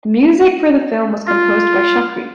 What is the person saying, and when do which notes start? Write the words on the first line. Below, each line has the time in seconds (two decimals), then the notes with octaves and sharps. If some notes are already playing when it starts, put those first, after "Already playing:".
The music for the film was composed by Chakri.
1.27 F4